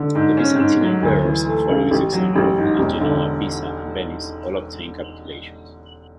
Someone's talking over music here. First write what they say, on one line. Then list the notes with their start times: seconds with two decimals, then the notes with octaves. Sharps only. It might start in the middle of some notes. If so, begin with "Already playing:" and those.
The Byzantine Emperors followed this example, and Genoa, Pisa and Venice all obtained capitulations.
Already playing: D3
0.15 G#2
0.37 C#4
0.59 G#2
0.81 F#3
1.02 D2
1.25 E3
1.47 A3
1.69 C#3
1.91 A1
2.13 F#3
2.36 A1
2.58 G#2
2.79 E1
3.01 D3